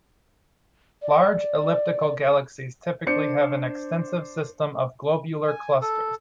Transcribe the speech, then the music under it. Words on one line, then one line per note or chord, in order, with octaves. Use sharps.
Large elliptical galaxies typically have an extensive system of globular clusters.
D5
D4 C5 C#7
G#5
A4